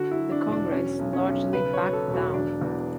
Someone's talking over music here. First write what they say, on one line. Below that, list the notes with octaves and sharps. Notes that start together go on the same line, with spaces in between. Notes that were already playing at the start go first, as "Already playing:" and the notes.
The Congress largely backed down.
Already playing: D3 F#4
E4
F#3
D4
E1
D4
F#3 C#4
B1
C#4
B1
C#3 B4
C#5
F#3
A4
E1
F#4
F#3 D4
E2